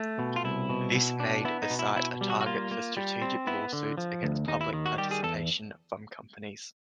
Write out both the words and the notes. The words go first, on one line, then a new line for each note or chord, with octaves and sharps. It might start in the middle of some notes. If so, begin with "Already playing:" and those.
This made the site a target for strategic lawsuits against public participation from companies.
Already playing: A3
B2
F4
C2 E4
B2
B2
D4
B3 E4
D#4
B2
E4
B2 E4
G3
F#4
F#4
A#3 F4
A#3
G3
C4
B3 E4
D3
F3
D2
D#2 D#4
E4
D#3
F#4
G3 G4
G#4
E2 A4